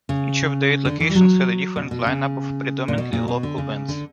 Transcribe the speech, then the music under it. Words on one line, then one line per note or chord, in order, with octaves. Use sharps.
Each of the eight locations had a different lineup of predominantly local bands.
C#3
D3
E3
G3
F#3
B2
B2
C#3
A#2
B2
A#2
B2
D3
C#3
D3